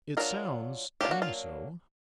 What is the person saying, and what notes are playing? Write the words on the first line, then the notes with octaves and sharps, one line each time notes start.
'It sounds to me so.
F#3 A#3 D4 F4 A#4
F#3 A#3 D4 F4 G4
F#4
F4